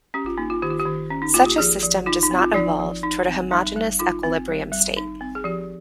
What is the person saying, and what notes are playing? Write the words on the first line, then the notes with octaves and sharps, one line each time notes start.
Such a system does not evolve toward a homogeneous equilibrium state.
C#4 G4
F4
A#3 D#4
F4
D#3 G4
F4
G4
D#3
C#4
D#4
A#3 F4
G4
F3 G#4
F3
D#4 F4
D#4
C4
F4
F3 D#4
F3
D#4
C4
G3 D#4
G3
D#4 F4
C4
G3
G3
D#4
C4
G#4
F3 G4